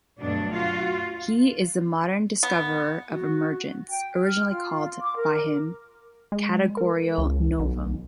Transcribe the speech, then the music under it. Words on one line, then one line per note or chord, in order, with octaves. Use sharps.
He is the modern discoverer of emergence - originally called by him "categorial novum".
D2 G2 B2 F#3 D4
F#3 F4 F#4 F5
B3
F#4
G5
F6
F4
D6
A#4
G#3
A#4
C#2
B1